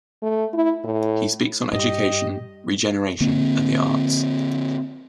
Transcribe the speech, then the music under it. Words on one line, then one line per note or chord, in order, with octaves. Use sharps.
He speaks on education, regeneration and the arts.
A3
E4
A2
G2 G4 D#5
D3 A#3 C4